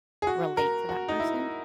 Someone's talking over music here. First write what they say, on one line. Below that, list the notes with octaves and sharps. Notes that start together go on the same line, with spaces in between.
relate to that person,
G#4
F#4
A#4
F#4
D#4
E4